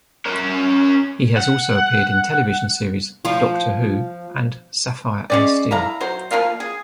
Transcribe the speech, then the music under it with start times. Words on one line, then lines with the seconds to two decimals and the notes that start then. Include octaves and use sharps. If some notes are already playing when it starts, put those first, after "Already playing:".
He has also appeared in television series "Doctor Who" and "Sapphire and Steel".
0.25 C#4 A#4
1.37 F#5
3.25 F3 F4
5.30 G#3 C#4 D5
5.71 E4 A4 F5 A#5
6.01 F#3 C5
6.31 F3 A#3 F4 F5
6.60 G#4